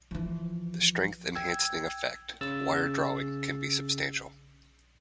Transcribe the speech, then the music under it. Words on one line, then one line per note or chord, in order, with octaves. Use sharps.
The strength-enhancing effect of wire drawing can be substantial.
E3 F3
G5 E6 G#6
C#3 E6 A6